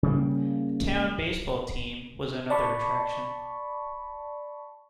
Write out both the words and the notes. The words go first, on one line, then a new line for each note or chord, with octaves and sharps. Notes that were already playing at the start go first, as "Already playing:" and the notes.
A town baseball team was another attraction.
C#3 G3 A#3
D5 A5 B5 C#6